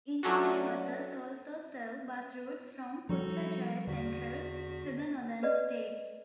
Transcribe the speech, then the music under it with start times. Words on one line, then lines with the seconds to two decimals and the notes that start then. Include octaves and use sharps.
Intercity buses also serve bus routes from Putrajaya Sentral to the northern states.
0.23 F#3 A3 C#4 D4 F#4
3.09 F3 G3 D#4 F#4 A4
3.87 E2 D3 F#4 B6
5.43 B4 D5 D#5